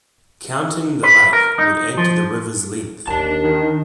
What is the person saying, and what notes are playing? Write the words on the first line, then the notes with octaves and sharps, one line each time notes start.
Counting the lake would add to the river's length.
B4
A#4
D#4
F3
D#2 D4 A5
D#3